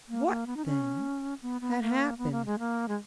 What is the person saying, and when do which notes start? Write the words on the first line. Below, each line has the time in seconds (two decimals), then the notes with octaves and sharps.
What then had happened?
0.09 A#3
0.27 A#3
0.47 B3
0.57 D#4
0.66 C#4
1.42 B3
1.61 B3
1.80 A#3
2.18 B3
2.32 A#3
2.45 G#3
2.59 A#3
2.88 G#3